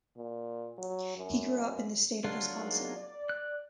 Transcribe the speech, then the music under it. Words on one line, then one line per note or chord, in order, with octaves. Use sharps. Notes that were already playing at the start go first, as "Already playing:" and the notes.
He grew up in the state of Wisconsin.
A#2
F#3
F#2
B2 D3 F#3 G3 D4 F4
A#3 D#4 G#4
D5
F#6